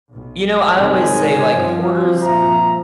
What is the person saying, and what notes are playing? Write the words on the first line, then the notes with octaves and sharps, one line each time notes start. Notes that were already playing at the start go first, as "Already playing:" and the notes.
you know, I always say, like, Hoarders,
B1
G#2 C3 D#3 G#3 C#5 G#5
G2 F3 C4
A#2 E5 A#5